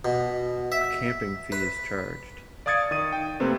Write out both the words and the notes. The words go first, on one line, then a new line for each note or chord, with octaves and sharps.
A camping fee is charged.
B2
E5
B4
D5 F5 D#6 G#6 A6 C#7
D#3 D#6 D#7
G5
C3 A3 A#3 C4 B4